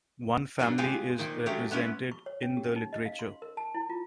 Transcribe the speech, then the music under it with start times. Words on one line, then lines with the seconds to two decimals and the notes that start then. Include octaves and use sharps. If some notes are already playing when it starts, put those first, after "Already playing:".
One family is represented in the literature.
0.59 G#2 F#3 A#3 D4
0.78 G#3 F4 G4 G#4 F5 G#5
1.18 A#2 D#3 F3 A#3
1.46 F#3 G#3 A3 C#4 G4
1.71 G#3 B3 C#4 E4
2.12 C#6
2.26 C#5
2.43 C#4
2.57 G4
2.76 D#4
2.93 D#5
3.06 F5
3.19 C6
3.42 A#4
3.57 A5
3.75 E4
3.89 F4